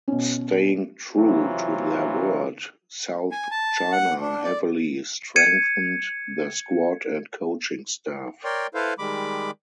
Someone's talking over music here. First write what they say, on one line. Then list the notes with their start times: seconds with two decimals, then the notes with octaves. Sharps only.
Staying true to their word, South China heavily strengthened their squad and coaching staff.
0.08 B2 C#4
1.18 C3 E3 F#3 F4
3.32 G#5
3.51 A5
3.92 F#5
4.20 D4
4.44 D5
5.36 G#6 C#7 D#7
8.44 A#4 C#5 D5 G5 C6
8.75 E4 A4 B4 C5 F5
8.99 D#3 G3 G#3 B5 D6